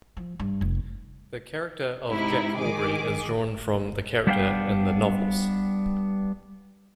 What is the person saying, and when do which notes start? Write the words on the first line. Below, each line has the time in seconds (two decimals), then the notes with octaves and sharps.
The character of Jack Aubrey is drawn from the character in the novels.
0.17 F3
0.39 G2
0.61 F1
2.10 G#2 C3 D#4 E4
2.58 D#3 G#4 D6
4.27 G3 B3 D4 D#5 F5 G5